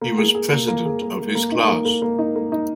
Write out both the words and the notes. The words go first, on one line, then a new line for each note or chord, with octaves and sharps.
He was president of his class.
A#3
G#4
G#4
A#3
A#3
G#4
A#3
A#3
A#3
D#4
A#3
A#3
A#3
D#4
A#3
D#4